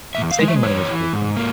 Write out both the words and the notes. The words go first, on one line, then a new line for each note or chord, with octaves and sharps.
saving money is really fun.
E2 E5
F5
G#3
E5
E2 C#5
E3
G#2
A#3